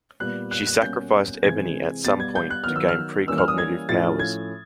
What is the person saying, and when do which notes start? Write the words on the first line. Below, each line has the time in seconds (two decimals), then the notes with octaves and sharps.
She sacrificed Ebony at some point to gain precognitive powers.
0.20 A#2 G3 B3 F#6
0.51 F#6
0.67 F#6
0.82 B2 G3 A#3 C#4 G6
1.43 C3 E3 G#3 C4 G#6
2.05 B2 G3 B3 A6
2.20 G#6
2.35 G6
2.50 F#6
2.64 D#3 F#3 B3 F6
2.76 E6
2.89 F6
3.27 E3 G3 A#3 C#4 E6
3.38 F6
3.48 D#6
3.58 G#6
3.89 A2 F3 A3 C#4 A6
4.19 G#6